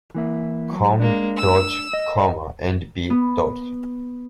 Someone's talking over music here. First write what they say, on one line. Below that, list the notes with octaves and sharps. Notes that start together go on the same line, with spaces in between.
Com., and B.
E3 A#3 E4
F#3
G#3 A#3 D4
E6
D#5
B3